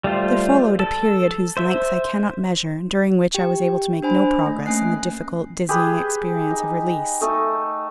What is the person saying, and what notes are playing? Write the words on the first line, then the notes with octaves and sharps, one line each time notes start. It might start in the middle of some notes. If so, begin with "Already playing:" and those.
There followed a period whose length I cannot measure and during which I was able to make no progress in the difficult, dizzying experience of release.
G3 A3 F4 C5
A4
C5 E5
G4 G5
D4 C5 G#5 B5
A3
A3 A#3 C#4 G#5 F#6 C7
G4 G#4 B4
D#4
A3 D#4 A4 D#5